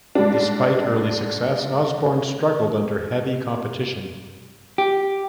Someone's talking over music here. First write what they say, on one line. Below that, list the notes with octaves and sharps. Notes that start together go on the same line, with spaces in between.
Despite early success, Osborne struggled under heavy competition.
G#2 G3 D4
G4